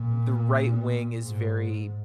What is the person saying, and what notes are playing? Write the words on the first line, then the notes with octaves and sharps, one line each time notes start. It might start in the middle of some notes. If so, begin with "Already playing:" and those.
the right wing is very
Already playing: A#2
G#2